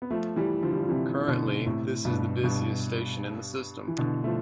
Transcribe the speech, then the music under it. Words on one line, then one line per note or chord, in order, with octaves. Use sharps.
Currently, this is the busiest station in the system.
B3
F3 A3
E3 G3
D3 F3
G3
F3
C3 E3
B2 D3
A2 C3
G2 B2
G2 B2
E3
B2 D3
F3 A3